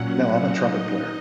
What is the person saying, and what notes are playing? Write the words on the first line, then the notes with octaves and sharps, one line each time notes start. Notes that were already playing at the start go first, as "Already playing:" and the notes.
No, I'm a trumpet player.
Already playing: A#2 F#3 C#4 F#5
F#5
D#4 D#5